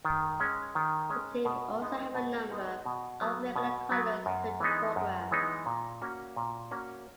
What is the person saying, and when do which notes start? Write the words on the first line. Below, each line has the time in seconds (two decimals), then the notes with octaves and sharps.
The team also have a number of regular callers to the program.
0.05 D#3
0.40 G#3 C#4
0.75 D#3
1.10 G#3 C#4
1.45 B2
1.80 G#3 B3 D#4
2.15 B2
2.50 G#3 B3 D#4
2.86 B2
3.21 F#3 B3
3.56 B2
3.91 F#3 B3
4.26 F#2
4.60 E3 G#3 B3 D#4
4.96 F#2
5.31 E3 G#3 B3 D#4
5.66 A#2
6.02 A#3 C#4 F#4
6.36 A#2
6.71 A#3 C#4 F#4